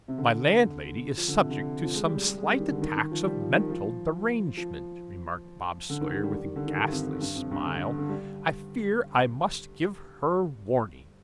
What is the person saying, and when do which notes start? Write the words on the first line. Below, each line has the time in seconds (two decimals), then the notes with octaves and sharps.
'My landlady is subject to some slight attacks of mental derangement,' remarked Bob Sawyer, with a ghastly smile; 'I fear I must give her warning.'
0.08 C3
0.18 D3
1.17 F3
1.28 D3
1.39 C3
1.50 D3
1.83 F3
1.94 G#3
2.05 G3
2.15 G3
2.26 G3
2.38 G#3
2.48 G3
2.59 D#3
2.71 D3
2.81 D#3
2.96 D#3
3.11 F3
3.26 G3
3.40 F3
3.55 D#3
3.70 F3
4.57 F3
5.89 D3
6.01 D#3
6.12 D3
6.23 G3
6.34 G3
6.44 D#3
6.56 D3
6.67 D#3
6.78 G2
6.92 F2
7.21 G2
7.35 F2
7.51 G2
7.66 D3
7.76 D3
7.88 D3
7.98 D3
8.09 G3